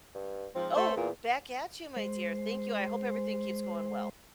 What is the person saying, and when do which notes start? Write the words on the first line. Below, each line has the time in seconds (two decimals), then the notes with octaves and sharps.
Oh, back at you, my dear, thank you, I hope everything keeps going well.
0.15 G2
0.55 G#2 F3 C4
0.76 A3 C5
0.96 E2 A#2
1.96 G#3 C5